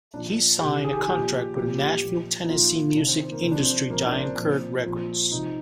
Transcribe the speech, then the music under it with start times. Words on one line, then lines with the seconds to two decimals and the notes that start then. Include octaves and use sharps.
He signed a contract with Nashville, Tennessee, music industry giant Curb Records.
0.14 A#2 F3 D4
0.61 C3 D#3 G4
0.84 G#4
0.92 G4
0.99 G#4
1.08 A#2 F3 G4
1.55 A#2 F3 G4
1.79 G4
2.02 A#2 F3
2.44 D#4
2.49 A#2 F3 F4
2.96 C3 D#3 D4
3.08 C4
3.20 C4
3.32 A#3
3.43 C3 C4
3.47 F3 D4
3.59 C4
3.90 A#2 F3 A#3
4.07 D4
4.14 C4
4.37 A#2 F3
4.84 A#2 F3
5.31 C3 F3 D#4